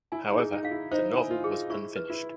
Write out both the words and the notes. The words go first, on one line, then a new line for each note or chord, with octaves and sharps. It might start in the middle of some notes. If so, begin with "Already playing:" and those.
However, the novel was unfinished.
E4 G#5
D#4
G#4
D#4
D#4 F5
E4
D#4 C5
E4
G#5
F4
G#4
F4
E4 C#6
B4
E4